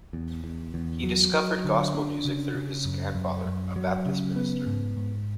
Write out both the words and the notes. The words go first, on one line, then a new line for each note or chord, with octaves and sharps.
He discovered gospel music through his grandfather, a Baptist minister.
E2
E2
E2
F#3
F#3
D3
D4
C#3
C#3
F#2
F#2
F#2
F#3
C#3
B3
G#2
G#2